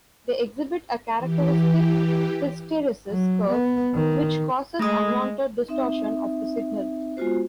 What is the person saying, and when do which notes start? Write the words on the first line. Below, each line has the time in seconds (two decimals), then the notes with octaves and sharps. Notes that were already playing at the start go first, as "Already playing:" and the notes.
They exhibit a characteristic hysteresis curve, which causes unwanted distortion of the signal.
1.18 E3 G4
3.11 F#3
3.50 B3
3.94 D#3
4.79 G#3 A3 D#6
5.69 C4 D#4 E5
7.17 G#3 B3 F4 F#4 C5